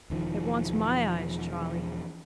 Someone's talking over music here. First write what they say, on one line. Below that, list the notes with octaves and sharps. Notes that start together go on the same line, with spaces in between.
It wants my eyes, Charley.'
E1 D#3 F3